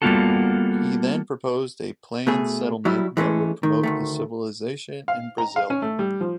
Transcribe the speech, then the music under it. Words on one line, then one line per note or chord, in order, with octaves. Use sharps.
He then proposed a planned settlement that would promote the civilization in Brazil.
G3 A#3 B3 F4 F#4 A4
B2 A3 G#4
F#3 G3 E4
E3 G#3 A3 C#4
D#3
D2 D#3 A3
F5
A#5
F5
C#4
A3
G3
F3